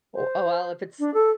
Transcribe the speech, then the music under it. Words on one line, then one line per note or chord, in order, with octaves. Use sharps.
O oh, well, if it's
C5
D4
A4